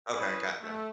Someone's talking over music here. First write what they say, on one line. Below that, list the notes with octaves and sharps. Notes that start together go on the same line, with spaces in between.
Okay, gotcha.
C#4 E4 B4 D#6
A3